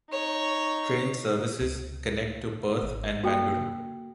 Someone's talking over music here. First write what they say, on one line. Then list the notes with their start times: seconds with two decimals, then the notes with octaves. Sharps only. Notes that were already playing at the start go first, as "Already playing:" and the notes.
Train services connect to Perth and Mandurah.
0.11 D#4 C#5
1.61 C#2
2.83 G#1
3.23 A#3 F#4 A4 G5